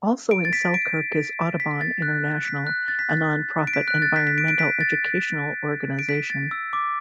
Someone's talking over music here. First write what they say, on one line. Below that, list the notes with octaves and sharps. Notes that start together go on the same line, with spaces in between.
Also in Selkirk is Audubon International, a non-profit environmental educational organization.
D7
A6
B6
D7
B6
A6
F#6
B6
F#6
A6
B6
A6
D7
B6
F#6
A6
B6
B6
D7
D7
B6
A6
D7
B6
A6
E6
D6